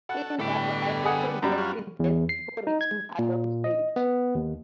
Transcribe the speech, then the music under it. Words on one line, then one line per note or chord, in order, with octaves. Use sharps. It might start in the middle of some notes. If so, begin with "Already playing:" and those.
In larvae, this results in death before reaching the adult stage.
F#4 A4 F#5
A2 D3 G3 B3 A4 G5
F#5 G#5 D#6
F#2 G3 B3
C#4 F4 F#4
E2
C7
D#4
G#6
A#2
D#5
B3
D#2